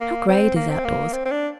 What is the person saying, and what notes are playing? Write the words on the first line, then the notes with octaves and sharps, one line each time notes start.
How grey it is outdoors.
A#3
C4
A#3
C4
A#3
C4
C4
D4